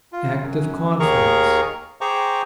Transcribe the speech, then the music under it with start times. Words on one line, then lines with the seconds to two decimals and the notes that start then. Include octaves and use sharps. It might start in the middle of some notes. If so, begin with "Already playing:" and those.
Act of Confidence.
0.12 F4
0.41 F#2
1.00 D#2 D#3 G#4 A#4 A#5 C#6
2.01 G#4 C5 G5 A#5 C#6 D6